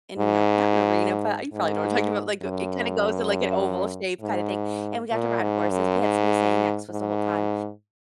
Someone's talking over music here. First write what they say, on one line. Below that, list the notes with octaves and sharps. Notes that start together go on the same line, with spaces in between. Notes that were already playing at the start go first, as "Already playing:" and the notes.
in a not an arena, but you probably know what I'm talking about, like, it kinda goes to, like, an oval shape kinda thing, and we got to ride horses, we had somebody standing next to us the whole time
G#2
G#2
F#2
G#2
A#2
G#2
F#2
G#2
G#2